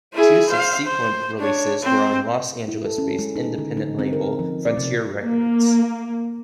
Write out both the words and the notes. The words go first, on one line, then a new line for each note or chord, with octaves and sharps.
Two subsequent releases were on Los Angeles-based independent label Frontier Records.
E4 G#4
C5 F5
C5
D4 C#5
C4 C5
E4
A4
C#4
G#3
D#4
D3
D#4
C4
A#4
F3
D5
C3
A#3